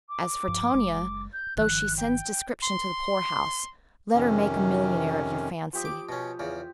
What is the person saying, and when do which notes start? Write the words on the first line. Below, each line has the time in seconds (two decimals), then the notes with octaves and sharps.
As for Tonia, though she sends description to the poorhouse, let her make a millionaire of your fancy.
0.09 D6
0.48 G2 F3
0.74 F#1 G#3
1.33 G6
1.57 G1 D#3 F3 F#6
1.97 G5
2.63 C6
4.14 F2 C3 D#3 C#4
5.73 F3 G4 D#6
5.85 D6
6.09 B2 C#4
6.39 E2 C#3